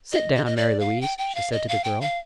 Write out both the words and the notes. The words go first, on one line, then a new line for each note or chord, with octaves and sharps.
"Sit down, Mary Louise," she said to the girl.
D#5
D#5
D#5
D5
F5
G5
G5
F5
D#5
F5
G5
F5